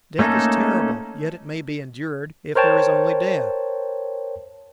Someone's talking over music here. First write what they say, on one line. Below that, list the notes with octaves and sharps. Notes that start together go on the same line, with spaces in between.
Death is terrible; yet it may be endured--if there is only death.
A3 A#3 C#4 D#4 A4
A#4 C5 C#5 G5 A5